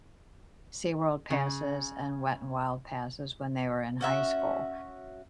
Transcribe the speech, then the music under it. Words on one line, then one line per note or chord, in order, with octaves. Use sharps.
SeaWorld passes, and Wet 'n Wild passes when they were in high school.
C#3
C#4 F#4 E5